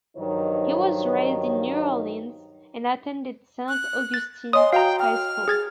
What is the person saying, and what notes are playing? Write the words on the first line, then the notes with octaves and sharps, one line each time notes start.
He was raised in New Orleans and attended Saint Augustine High School.
G2 D#3 F3 F#3 D#4 C#5
F#6
A6
C#5 D#5 G#5 C6 D#6
F#4 F5 G5 A#5
G5 F6
G#4 G#6 A6